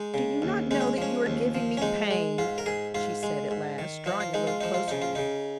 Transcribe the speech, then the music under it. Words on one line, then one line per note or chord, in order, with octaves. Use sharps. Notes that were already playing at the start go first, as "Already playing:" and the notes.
"Do you not know that you are giving me pain?" she said at last, drawing a little closer to me.
Already playing: G#3 D#4
C#3
D#2
G#3 D#4
C#4
F3 C#4
D#2
F3
C#4
G#3 D#4
G#3
G#2 F4
A#4
G#2 G#4
G#2 F4
G#3
G#2
D#3
F3 D#4
F4
G#3 D#4
F4
F3 D#4
F4
C#3 D#4
F4
C#3 D#4